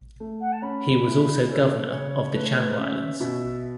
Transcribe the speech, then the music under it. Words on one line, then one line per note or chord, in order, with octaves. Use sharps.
He was also governor of the Channel Islands.
A3
F#5
A5
C#4 B5
E4
C#4 A4
B4
C#3 C#5
A3 B4
C#5
B4
C#4 E5
B2 E5